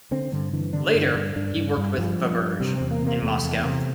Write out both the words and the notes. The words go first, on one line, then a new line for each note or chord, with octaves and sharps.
Later he worked with Faberge in Moscow.
D3 C4
G2 D3
D3 E3
D3 D4
G2
G2
G2 D4
G2
G2
G2 F3
G2
G2
C3 G3
E2 C4
A#3
C3 A#3
E2 A3
E2
C3